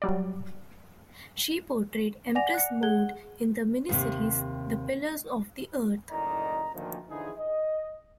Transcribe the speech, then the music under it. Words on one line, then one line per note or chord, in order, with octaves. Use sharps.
She portrayed Empress Maud in the miniseries "The Pillars of the Earth".
F#3 G3 D5
D5 F#5 G#5 D6 A#6 F7
F#6 C#7
G#4 F#5 F#6 G#6 G7
D#2 A2 C3
F#1 A2 D#3 D5 D#5 A#5
D2 A#2 D#3 F3
D3 E3 F3 D#4 E4 G#4
D#5